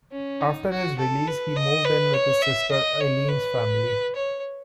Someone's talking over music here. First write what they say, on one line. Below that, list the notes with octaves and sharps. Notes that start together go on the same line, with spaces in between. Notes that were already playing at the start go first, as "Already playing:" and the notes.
After his release, he moved in with his sister Eileen's family.
C#4
D#4
F#4
A4
B4
D#5
B4
C#5
E5
D#5
C#5
B4
C#5